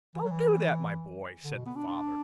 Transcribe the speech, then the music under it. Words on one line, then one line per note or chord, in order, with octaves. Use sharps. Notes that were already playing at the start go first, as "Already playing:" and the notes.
"Don't do that, my boy," said the father.
E3
F#3
E3
D3
B2
B3
D4
D4